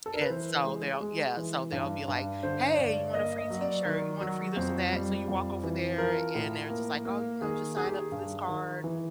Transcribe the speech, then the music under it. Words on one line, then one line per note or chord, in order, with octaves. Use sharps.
and so they'll yeah, so they'll be like, "Hey, you want a free t-shirt? You want a free this or that?" So you walk over there and they're just like, "Oh, you know, you just sign up for this card
A4
A#4
B4
E3 C5
G#3
G#3
E3
G2
G2
D3 C5
C#5
G2 D5
A#3 D#5
D#5
F#3
D5
D#3
F#3
F2 C5
G3
F2
E3
F3 A#4
A2
A#3
A#3
D#3 G#4
D#3 G#4
G4
G#4
G2
D#3
E3